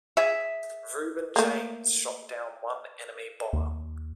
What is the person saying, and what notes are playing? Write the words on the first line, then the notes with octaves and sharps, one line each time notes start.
"Reuben James" shot down one enemy bomber.
G#4 E5
A3 A#3
D#2